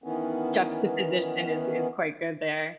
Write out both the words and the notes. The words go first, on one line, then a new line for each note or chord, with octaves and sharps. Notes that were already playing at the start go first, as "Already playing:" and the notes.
juxtaposition is is quite good there.
D#3 E3 B3 C#4